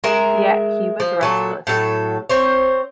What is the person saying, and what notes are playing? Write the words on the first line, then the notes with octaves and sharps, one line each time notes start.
Yet he was restless.
G#3 A#4 E5
F3
A#2 F#3 A4
A2 F#3 A4
C4 C5 C#5